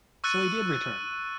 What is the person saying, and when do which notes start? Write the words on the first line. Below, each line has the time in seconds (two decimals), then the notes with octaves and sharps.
So he did return!
0.24 C#6 E6 F#6 A6 C#7 D#7